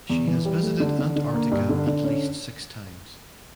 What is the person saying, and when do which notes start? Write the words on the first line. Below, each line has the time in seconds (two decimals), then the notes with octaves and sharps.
She has visited Antarctica at least six times.
0.10 E2
0.27 E3
0.45 G3
0.62 A3
0.80 D3
0.99 D3
1.16 D3
1.33 A#3
1.52 G2
1.69 D3
1.87 D3
2.04 C#4